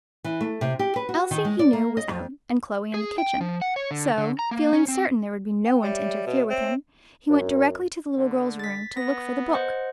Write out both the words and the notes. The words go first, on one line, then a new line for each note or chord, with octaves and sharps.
Elsie, he knew, was out, and Chloe in the kitchen; so, feeling certain there would be no one to interfere with him, he went directly to the little girl's room to look for the book.
E3
A3
C3
G4
B4
F#4
D#3
G#3
D5
A#3
D#5
F2
G#4
G5
F3
F#5
C#5
D3
D3
A#5
A#3
C#4
C4
G5
G3 C#5 E5
B2
C4
F#2
D3
A6 B6
B3 A#6
C5 D#5 F#5